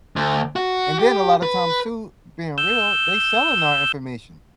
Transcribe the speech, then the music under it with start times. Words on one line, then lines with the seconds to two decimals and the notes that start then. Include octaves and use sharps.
and then a lotta times too, being real, they selling our information
0.16 D2
0.56 F#4
0.99 G4
1.43 B4
2.58 E6 G6